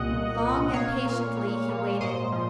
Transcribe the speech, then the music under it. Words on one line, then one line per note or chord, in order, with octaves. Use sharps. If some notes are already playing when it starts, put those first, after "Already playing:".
Long and patiently he waited.
Already playing: C2 A#2 D#5 F#5
C2
A#2
A#3 C#5 F5
A#2
A#2
A#2
G#2 C5 D#5
F3